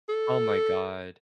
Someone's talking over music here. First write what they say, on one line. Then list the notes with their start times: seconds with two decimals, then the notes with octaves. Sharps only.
Oh my god.
0.09 A4